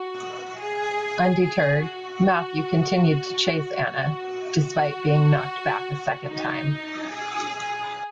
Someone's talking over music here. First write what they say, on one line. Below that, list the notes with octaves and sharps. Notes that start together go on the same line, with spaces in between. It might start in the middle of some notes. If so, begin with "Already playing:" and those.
Undeterred, Matthew continued to chase Anna despite being knocked back a second time.
Already playing: F#4
G#4
G#4
F#4
F#4
F#4
D#4
G#4